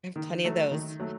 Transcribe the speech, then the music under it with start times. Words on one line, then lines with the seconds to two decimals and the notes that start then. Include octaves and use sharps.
I have plenty of those.
0.16 D#3
0.44 F#3 A3
0.71 D#3
1.00 F#3 A3